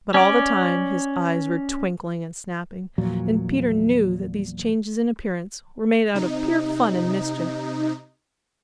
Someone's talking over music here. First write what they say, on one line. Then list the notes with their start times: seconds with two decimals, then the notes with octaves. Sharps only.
But all the time his eyes were twinkling and snapping, and Peter knew that these changes in appearance were made out of pure fun and mischief.
0.14 C#4 D5
2.98 E2 A#2 F3 F#3
6.14 C3 D#4